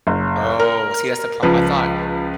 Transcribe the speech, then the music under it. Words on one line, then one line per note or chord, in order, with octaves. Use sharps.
Oh, see that's the problem, I thought
F#1
A#4
C#2 F3 B4